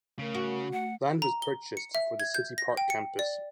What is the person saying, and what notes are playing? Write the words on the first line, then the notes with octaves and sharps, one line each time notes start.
Land was purchased for the City Park Campus.
C#3 A3 A#4
F#4
A3 F#5
A#5
G7
C#7
E5
G#6
G6
A#6
G5
C#7
D5